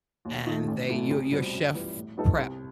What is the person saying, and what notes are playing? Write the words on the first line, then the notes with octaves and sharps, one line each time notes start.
and they you're you're chef prep.
D#2
D#3 A3
A1
A2 F#3 A3 E4
C2
B2 G3 C4
F#2
E3 G3 B3
A2
G3 B3 D#4 A4
C2